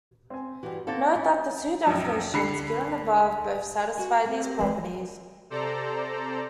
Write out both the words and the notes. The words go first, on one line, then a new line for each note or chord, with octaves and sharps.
Note that the two definitions given above both satisfy these properties.
C4 G#5
G2 E3 F#4 G4 G5
A#3 C4 D#4 A4 F#5 A6
C#4 E4
A#1 F#2
D3 B5 C7 C#7
F#4 G#5
A#3 C4
G4 A#4 C5
E3 G#3
C3 A4 C5 D5 A#5